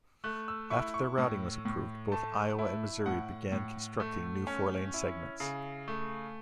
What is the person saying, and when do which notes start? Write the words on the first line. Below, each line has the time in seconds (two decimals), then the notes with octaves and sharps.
After the routing was approved, both Iowa and Missouri began constructing new four-lane segments.
0.24 A3 F#6
0.48 E6
0.70 E4 C#6
0.94 C#6
1.18 A2
1.65 A2
2.12 A3 A5
2.59 E4
3.06 A2 F#5
3.52 A2
4.00 A3
4.47 C#4
4.94 E4
5.40 C#3
5.88 A3